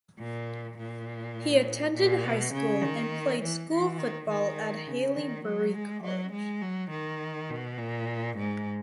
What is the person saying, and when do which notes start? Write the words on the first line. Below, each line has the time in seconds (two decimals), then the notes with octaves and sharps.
He attended high school and played school football at Haileybury College.
0.19 A#2
0.77 A#2
1.94 A#2
2.24 B2
2.53 C#3
2.82 D#3
3.41 E3
3.69 E3
3.98 D#3
4.28 D#3
4.86 C#3
5.16 D#3
5.45 F#3
5.73 G#3
6.03 F#3
6.32 G#3
6.61 F#3
6.90 D#3
7.50 B2
7.78 A#2
8.37 G#2